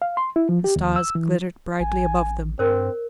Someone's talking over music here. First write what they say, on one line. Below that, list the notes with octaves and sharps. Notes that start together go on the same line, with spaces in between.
The stars glittered brightly above them.
F5
C6
E4
F3
G4
D#2
E6
E3
A1 G#5
G2 C4 A#4 C5